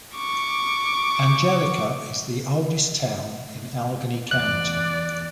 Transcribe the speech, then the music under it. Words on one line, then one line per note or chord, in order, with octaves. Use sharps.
Angelica is the oldest town in Allegany County.
C#6 D6
E2 D5 F#6